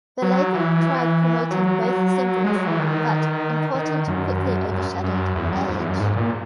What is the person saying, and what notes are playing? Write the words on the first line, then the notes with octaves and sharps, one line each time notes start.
The label tried promoting both singles, but "Important" quickly overshadowed "Age".
F#3
E3
F#3
F#3
G#3
F#3
E3
D#3
D#3
F#2
F#2
F#2
E2
F#2
G#2
E2
F#2
G#2
A#2